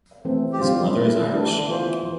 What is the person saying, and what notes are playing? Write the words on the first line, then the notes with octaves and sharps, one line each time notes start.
His mother is Irish.
E3 A3 C4
G4
D3 G3 C4 F4
A3 E4 B4
G3 A3 D4 G4
E3
D3
E3 B3 F4 C5
E3